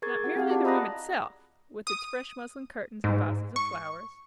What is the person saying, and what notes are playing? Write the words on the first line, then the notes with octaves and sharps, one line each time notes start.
Not merely the room itself, with its fresh muslin curtains and vases of flowers.
G#4 A#4 C#6 G#6 A6
E4 F#4 F#5
C4 G4 G#4 F5 F#5
F4 D5 A5 D6
D#5 A#5 B5 D#6 F#6 A#6
D#6
G#2
C#6